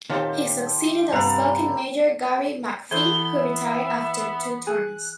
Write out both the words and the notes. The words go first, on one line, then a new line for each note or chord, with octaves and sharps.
He succeeded outspoken mayor Gary McPhee who retired after two-terms.
A#2 D#3 C4 F4 G4 C#5 A5 C6
G2 C3 A4 B4 F5 F#5 A#5 B5
E3 B3 E4 A4 B4 C5 G7
E5
G#4 F#6